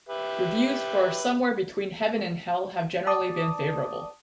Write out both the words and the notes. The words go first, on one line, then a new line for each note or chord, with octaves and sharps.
Reviews for "Somewhere Between Heaven and Hell" have generally been favorable.
G4 B4 E5
D5 A5 D6 D#6